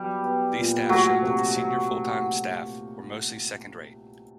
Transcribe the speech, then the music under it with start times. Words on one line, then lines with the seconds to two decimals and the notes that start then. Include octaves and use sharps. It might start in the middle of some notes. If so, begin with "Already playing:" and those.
These staff showed that the senior full-time staff were mostly second-rate.
Already playing: F#3 G3 B3
0.22 B3
0.56 A#2
0.89 F#3 A3
1.22 C3
1.56 C3
1.89 A3